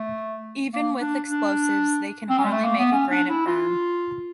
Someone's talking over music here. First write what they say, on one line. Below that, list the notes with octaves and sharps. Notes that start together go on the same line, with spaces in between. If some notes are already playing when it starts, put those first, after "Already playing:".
Even with explosives, they can hardly make a granite burn.
Already playing: A3
A#3
D4
D4
C4
C#4
G#3
A3
A#3
B3
C#4
D4
E4
F4